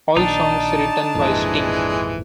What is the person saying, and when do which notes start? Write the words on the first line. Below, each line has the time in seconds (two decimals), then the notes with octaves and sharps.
All songs written by Sting.
0.17 A#1 D#3 D4 D#4 A5
1.15 G#1 F2 A#2 E3 G#3